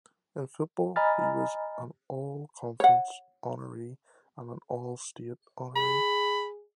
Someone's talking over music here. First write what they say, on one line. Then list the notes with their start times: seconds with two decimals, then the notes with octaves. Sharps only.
In football, he was an All-Conference honoree and an All-State honoree.
0.96 D#5 G#5 A#5 B5 F6 A6
2.80 C#5 F#5
5.76 G#4 B5